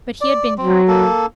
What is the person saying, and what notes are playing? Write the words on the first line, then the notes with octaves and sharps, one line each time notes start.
But he had been kind.
D5
F#3 C4
A#3 A4